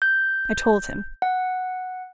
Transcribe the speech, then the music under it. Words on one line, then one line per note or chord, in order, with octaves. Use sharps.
I told him.
G6
F#5